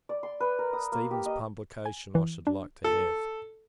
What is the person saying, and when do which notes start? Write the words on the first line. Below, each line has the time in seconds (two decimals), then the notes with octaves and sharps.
Stephens's publication I should like to have.
0.09 D5
0.23 C6
0.40 B4
0.59 A#4
0.73 D#6
0.92 A#3
1.11 G4
1.26 D#5
1.86 G#5
2.15 E3
2.47 D4
2.84 A4